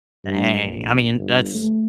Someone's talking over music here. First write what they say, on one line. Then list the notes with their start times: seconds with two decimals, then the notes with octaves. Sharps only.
Dang. I mean, that's
0.25 G2
0.63 A#1
1.16 G1
1.54 A3